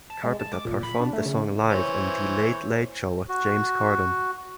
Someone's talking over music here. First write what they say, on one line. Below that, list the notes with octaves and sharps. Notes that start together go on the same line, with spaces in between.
Carpenter performed the song live on "The Late Late Show with James Corden".
A5
G#3
A5
D6
A#2
B5
D4
A3
C#3
E3 C5 C#5
F#4